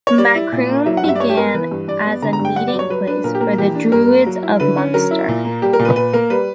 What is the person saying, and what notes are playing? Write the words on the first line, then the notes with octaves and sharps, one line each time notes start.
Macroom began as a meeting place for the Druids of Munster.
C#5
G3 D5
E4
A#2
A#3
F#3 E5
F#5
G2 E5
D5
G2 C#5
G4
B3 A#4
E3 B4
G2
G2 D5
B3
D3 A#5
A#5
G2
G5
G2 F#5
D5
F#3
C#5
F#3 B4
D4 B4
A#2 A#4
G4
A#3 A#4
E3 G4
D4
G2 A#4
A#3
F#3
E4
D3 B4
C#4
F#3 A#4
E4
A#2
A#3
G3 G4
A#4
A#2
B4
A#2 B4
A#3 A#4
G3 B4